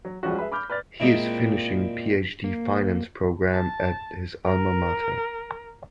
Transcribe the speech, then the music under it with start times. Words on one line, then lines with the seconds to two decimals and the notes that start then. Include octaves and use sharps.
He is finishing PhD Finance programme at his Alma Mater.
0.05 F#3
0.23 F3 G3 G#3 C#4 F#4
0.36 G#4 B4 E5
0.52 B5 D6 F6 G6
0.70 B4 D5 F6 A6
1.00 A#2 G#3 C4 E4
2.44 A#3
3.50 A5
4.45 A#4